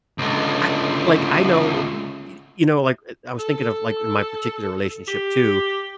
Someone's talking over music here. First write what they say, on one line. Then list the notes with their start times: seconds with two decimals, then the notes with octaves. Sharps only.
I like, I know y y you know, like, I was thinking of, like, in my particular relationship too,
0.18 C#2 D3
3.39 A4
5.08 G4